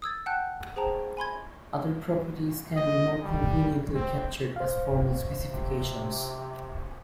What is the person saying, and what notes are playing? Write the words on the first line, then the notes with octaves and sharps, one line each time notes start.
Other properties can be more conveniently captured as formal specifications.
D#6 E6 G#6 A6
F#5 G5 A5 F#6 G6
G#4 C5 G5 A5 A#5
G#5 B5 C6 G#6
D#5
G3
C4
C5 F5
C3